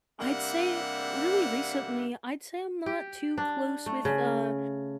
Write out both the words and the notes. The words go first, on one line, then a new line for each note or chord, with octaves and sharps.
I'd say Really recently, I'd say I'm not too close with, uh,
C3 G3 A#3 D4 E5 F#5
G4
D4
A3
C#3